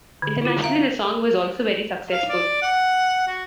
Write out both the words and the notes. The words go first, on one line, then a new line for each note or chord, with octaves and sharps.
Internationally, the song was also very successful.
D3
E4 F4
E5 F5 A#5
F5
D5
F#5
F#4